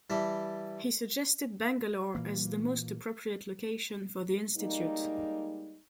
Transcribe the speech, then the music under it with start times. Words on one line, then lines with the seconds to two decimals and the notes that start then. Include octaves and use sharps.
He suggested Bangalore as the most appropriate location for the institute.
0.10 E3 G3 A5 B5
2.15 A#2 E3 A#3
4.56 G3 G#3 A#3 D#4